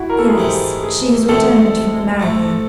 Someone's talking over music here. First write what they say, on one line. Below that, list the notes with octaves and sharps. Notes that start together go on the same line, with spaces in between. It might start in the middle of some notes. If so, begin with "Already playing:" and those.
"Yes; she has returned from America."
Already playing: E4 F#4
A#4
A4
G#4
G#2 E3 G#3 B3 G4
G#4
D2 C3 E3 G#3 C4 A4
G#2 F3 A3